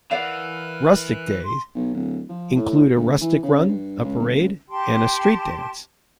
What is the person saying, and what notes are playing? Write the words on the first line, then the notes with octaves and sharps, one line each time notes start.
Rustic Days include a Rustic Run, a parade, and a street dance.
E3 A#4 D5 F5 F#5 F#6
C6
B1
D1
F3
A2
D2
E3
C#3
G2
C#2
G1
C#2
G4 G5 A5 C6